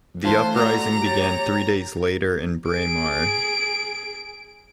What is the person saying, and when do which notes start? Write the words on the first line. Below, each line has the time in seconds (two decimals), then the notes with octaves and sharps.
The uprising began three days later in Braemar.
0.24 E3 A3 F4 A4 C5 A5
0.55 F#4 D5 A#5 D6
1.02 G4 C#5 A6 D7
2.70 G#4 D7